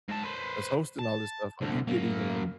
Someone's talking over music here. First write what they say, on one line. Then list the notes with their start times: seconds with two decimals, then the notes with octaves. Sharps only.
that's hosting all this stuff, like, you get even, like,
0.08 G#2 A5
0.23 B4 C5
0.99 A5
1.61 C2 D3
1.88 F#2 A#3